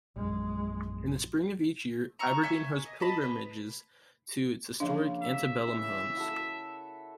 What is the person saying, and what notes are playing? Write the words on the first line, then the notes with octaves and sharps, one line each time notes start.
In the spring of each year, Aberdeen hosts pilgrimages to its historic antebellum homes.
A#1 F#2 G#3
A#5 C#6 E6
E5 G#5 C#6 G6
D#5
D#5 A5 B5
B4
C#3 F3 A#3 D4
E5
E3
E4 F#4 A4